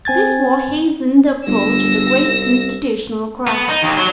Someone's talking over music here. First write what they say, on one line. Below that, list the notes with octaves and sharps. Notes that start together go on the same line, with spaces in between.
This war hastened the approach of the great constitutional crisis.
C4 G#5 G#6 A6
G1 E6 A#6
C2
B3
D#4
D#2
F#3